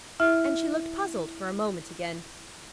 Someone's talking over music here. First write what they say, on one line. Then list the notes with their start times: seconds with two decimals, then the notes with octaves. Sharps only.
And she looked puzzled for a moment again.
0.20 E4 E5 F6